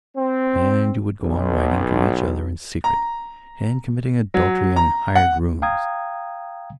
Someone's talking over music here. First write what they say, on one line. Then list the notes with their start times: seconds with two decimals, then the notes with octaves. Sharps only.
And you would go on writing to each other in secret, and committing adultery in hired rooms.
0.16 C4
1.21 B1
2.84 A#5
4.34 F#3
4.76 A#5
5.15 F#5
5.62 F5 G5 A#5 D#6 G#6